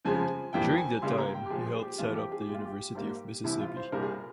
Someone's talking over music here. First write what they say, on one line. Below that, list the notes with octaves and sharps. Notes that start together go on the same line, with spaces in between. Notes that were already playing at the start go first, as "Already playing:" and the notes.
During that time, he helped set up the University of Mississippi.
F2 C#3 F3 G#3 G#5
F2 E3 G3 A#3 G5
G#5
C#2 C#3 G3 A#3 C6
C6
A#5
G5
G4
A#2 F3 G#3 G#4
G#4
G4
F2 E3 G3 A#3 F4
G4
G#4
G4
A#2 G#3
F4
G4
G#2 G3 A#3
C2 C3 E3 E4
F4
C5
C2 A#2 G3 A#3 A#4
G#4
A#4